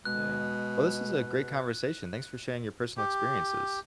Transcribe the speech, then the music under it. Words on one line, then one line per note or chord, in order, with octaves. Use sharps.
Yeah. Well this is a great conversation, thanks for sharing your personal experiences.
B2 G#3 F#6
G4